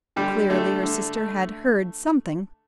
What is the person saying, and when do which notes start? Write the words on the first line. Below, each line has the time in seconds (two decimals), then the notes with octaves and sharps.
Clearly her sister had heard something.
0.16 D3 G3 G4
0.50 D3 A3 A4
0.83 D3
1.17 A3